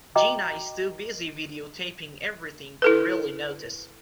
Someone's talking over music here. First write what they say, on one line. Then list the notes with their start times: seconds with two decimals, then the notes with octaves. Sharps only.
Gina is too busy videotaping everything to really notice.
0.16 F#4 D#5 G5 A#5 D6
2.82 E4 A4 B4